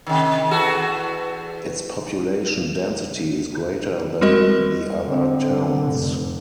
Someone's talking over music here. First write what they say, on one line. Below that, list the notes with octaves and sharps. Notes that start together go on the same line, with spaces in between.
Its population density is greater than the other towns.
C3 D#3
E2 F#4 A4
G3 G#3 C4 F#4 A#4 D#5
D3 C4
D3
F1